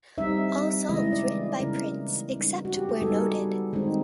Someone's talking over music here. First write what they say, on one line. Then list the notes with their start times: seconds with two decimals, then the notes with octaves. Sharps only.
All songs written by Prince except where noted.
0.18 G3 C4 D#4 E5
0.88 C#3 E3 G#3 B3 E4 D#5
1.13 D5
1.60 C#3 E3 G#3 B3 E4 A#4
2.30 G3 B3 D#4
2.65 F#4
2.76 G4
2.89 G#4
3.02 G3 B3 D#4 A4
3.73 D#3 G#3 C4 D#4